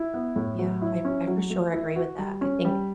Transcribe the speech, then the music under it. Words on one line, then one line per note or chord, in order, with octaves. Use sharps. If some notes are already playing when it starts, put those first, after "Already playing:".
Yeah. I I for sure agree with that. I think
Already playing: E4
B3
A2
F#3
E4
C#4
F#3
A3
E4
F#4
G3
C#4
G3